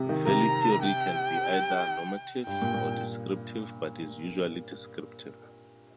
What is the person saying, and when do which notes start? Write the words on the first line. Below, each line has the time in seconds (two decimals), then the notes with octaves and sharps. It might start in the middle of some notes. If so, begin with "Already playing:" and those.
Value theory can be either normative or descriptive but is usually descriptive.
Already playing: C3
0.09 D#3
0.27 C3 A#5
0.82 G5
2.47 G2 G5
2.62 A#2
2.74 A#2